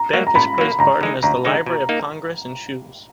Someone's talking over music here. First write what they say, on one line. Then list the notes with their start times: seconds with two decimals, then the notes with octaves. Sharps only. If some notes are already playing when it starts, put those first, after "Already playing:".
Beck has praised Barton as "the Library of Congress in shoes".
Already playing: A#5
0.13 F#3 A#3
0.27 A#5
0.35 A#2 B5
0.58 F#3 A#3
0.79 D2 A#5
1.01 D3 G#3 D#4
1.23 D2 A#5
1.45 D3 G#3 D#4
1.66 B2
1.89 A#3 D#4